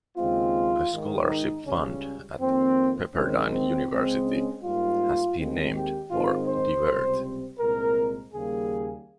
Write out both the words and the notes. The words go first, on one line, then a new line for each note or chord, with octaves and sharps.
A scholarship fund at Pepperdine University has been named for DeWert.
D#2 C#3 G#3 C4 F4
G#2 D#3 G#3
D#4
C#2 C#3 G3 C#4
F2 D#3 A#3 C4
D#2 D#3 G#3 C4 C#4
C4
C#2 C#3 G#3 C4
C#4
G#2 G3 A#3 F4
D#2 D#3 G#3 C4
G4
G#2 D#3 G#3 C4 F4
C5
C#2 C3 G3 C4
C2 A#2 G#3 C4 A#4
D#2 C#3 G3 A#3 G#4